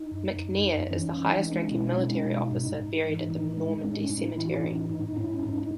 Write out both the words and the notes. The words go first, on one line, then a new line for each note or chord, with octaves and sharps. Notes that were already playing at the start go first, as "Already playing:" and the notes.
McNair is the highest-ranking military officer buried at the Normandy cemetery.
Already playing: D#4
F#2
F#2
F#2
E3 C#4
E3
D#4
G#3
C#4
D#4
B2 C#4 E4
G#3 C#4 E4
C#4
B2 D#4
G#2
G#2
E3
A2 D#4
G#3 D#4
A2 C#4
C#4
A2 D#4
E3 E4
F#4
C#4 E4
A2 D#4
G#2 D#4
G#2 C#4 E4
G#2 D#4